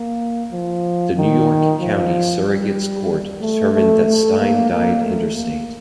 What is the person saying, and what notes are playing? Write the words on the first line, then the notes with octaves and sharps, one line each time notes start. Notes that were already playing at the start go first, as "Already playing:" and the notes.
The New York County Surrogate's Court determined that Stein died intestate.
Already playing: A#3
F3
D#3
F3
G3
A3
A3
A3
A#3
A#3
A3
A#3